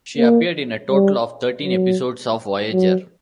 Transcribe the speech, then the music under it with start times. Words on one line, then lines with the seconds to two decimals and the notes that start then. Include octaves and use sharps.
She appeared in a total of thirteen episodes of "Voyager".
0.17 A#3
0.91 G3
1.64 F#3
2.73 F#3